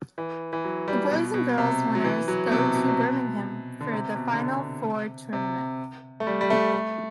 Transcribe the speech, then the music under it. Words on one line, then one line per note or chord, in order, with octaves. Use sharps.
The boys and girls winners go to Birmingham for the Final Four tournament.
E3
E3
F#3
G3
B2
B2
C3
F#3
E3
F#3
B2
C3
B2
C3
B2
D3
C3
B2
D3
C3
C3
A3
G3
G3
A3
A3